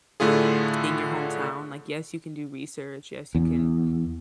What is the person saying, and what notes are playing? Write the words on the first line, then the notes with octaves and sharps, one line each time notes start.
in your hometown, like, yes, you can do research, yes, you can
A2 D3 A3 F4 G#4
E2